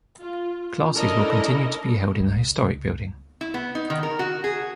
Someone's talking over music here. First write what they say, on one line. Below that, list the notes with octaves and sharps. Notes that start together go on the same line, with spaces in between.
Classes will continue to be held in the historic building.
F4
C#4 D4 E4 A4 A#4 D#5
C#2
E4
B3
D#4
D#3
A#4
F#4
G#4